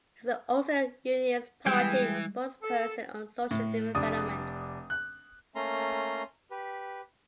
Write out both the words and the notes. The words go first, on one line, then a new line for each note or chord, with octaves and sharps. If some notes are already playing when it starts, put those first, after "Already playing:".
He is the Ulster Unionist Party spokesperson on Social Development.
E3 G3 G#3 G#4 B4 G5
A4
A2
F1 D4 D#6
F#6
A3 A#3 C#4 A#5 C6
G4 B4